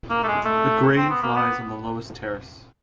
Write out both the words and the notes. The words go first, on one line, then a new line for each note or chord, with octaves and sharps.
The grave lies on the lowest terrace.
A#3
A3
G#3
A3
C4
B3
A#3
B3